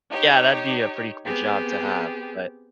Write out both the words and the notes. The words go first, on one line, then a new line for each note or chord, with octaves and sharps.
Yeah, that'd be a pretty cool job to have, but
D#4 G4 C#5
B3 C4 G4 G#4